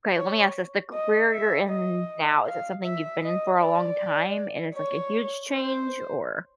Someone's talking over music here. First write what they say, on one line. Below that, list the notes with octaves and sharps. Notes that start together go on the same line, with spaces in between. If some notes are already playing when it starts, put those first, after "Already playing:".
okay, let me ask this, the career you're in now, is it something you've been in for a long time and it's, like, a huge change? Or
C#5
D#5
E5
D#5
F5
E5
D#5
D5
C#5
C5